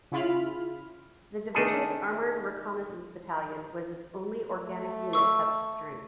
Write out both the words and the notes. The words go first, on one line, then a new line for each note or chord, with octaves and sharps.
The division's armored reconnaissance battalion was its only organic unit up to strength.
C#3 E4 F4 B5 F6
D#3 A3 D4 G#4 A4
A3
C#6 E6